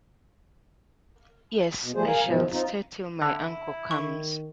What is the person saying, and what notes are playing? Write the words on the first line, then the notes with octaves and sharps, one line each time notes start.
Yes, I shall stay till my uncle comes.
B2
F3 G3 A3 G#4 C5
A#4 F5 G#5
G#2 B2 F3
C4 D#4 F4
D3 E4
D#3 C#6